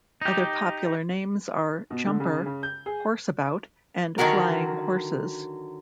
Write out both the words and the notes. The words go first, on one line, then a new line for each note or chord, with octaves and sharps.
Other popular names are jumper, horseabout and flying horses.
D#4 G4
B2
D3
C#3
C#3
G6
G#4
D3 D#3 F#3 F#4 A#4